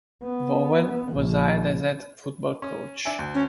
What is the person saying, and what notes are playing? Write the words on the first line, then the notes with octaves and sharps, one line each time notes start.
Vowell was hired as head football coach.
B3
A#1
C#4
D4 E5 G#5
D2
C#4